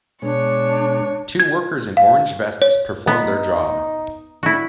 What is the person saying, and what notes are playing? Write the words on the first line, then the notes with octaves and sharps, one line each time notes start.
Two workers in orange vests perform their job.
B2 G#3 D4 C#5
G#6
F5
C#5
B3 D#4
E4 F#4